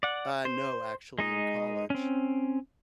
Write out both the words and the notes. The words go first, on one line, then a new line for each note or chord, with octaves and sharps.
Uh, no actually, in college
D5 F#5
C5
G#3 D#4 D#5
C4 C#4